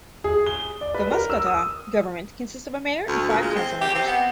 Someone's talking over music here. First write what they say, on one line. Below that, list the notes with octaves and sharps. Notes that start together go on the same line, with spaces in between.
The Muscotah government consists of a mayor and five council members.
G#4
G7
D5
B4
A#4
E6
D#6
D2
A#2
G#3
C4
G4
C4
B3